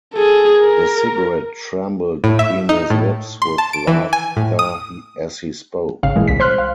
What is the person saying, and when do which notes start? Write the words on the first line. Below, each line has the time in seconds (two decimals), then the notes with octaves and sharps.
The cigarette trembled between his lips with laughter as he spoke.
0.14 G#4 A4
0.59 A#4
2.24 A2
2.39 E5
2.69 D#4
2.90 A2
3.42 C6
3.58 A5
3.73 D7
3.87 E3
4.13 G#5
4.37 A2
4.59 D#6
6.03 G#1 C#3 F5
6.16 A#2 E3 G#3
6.28 C2 B6
6.40 C5 C6 F6 F#6
6.58 F5